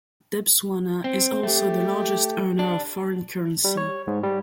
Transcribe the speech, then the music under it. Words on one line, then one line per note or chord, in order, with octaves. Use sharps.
Debswana is also the largest earner of foreign currency.
C4
A3 G4
D4
G3
C#5
G#2
G3